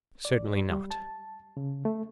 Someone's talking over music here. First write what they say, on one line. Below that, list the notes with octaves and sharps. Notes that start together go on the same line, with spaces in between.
Certainly not.
D5
G3
A5
C#3
A3